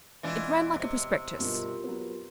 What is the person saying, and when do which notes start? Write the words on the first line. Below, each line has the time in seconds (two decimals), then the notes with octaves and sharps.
It ran like a prospectus.
0.23 E1 E3 D4 F4 D#5
0.80 C3
1.39 G2 B2 F4 G4 A#4
1.84 F#3 B3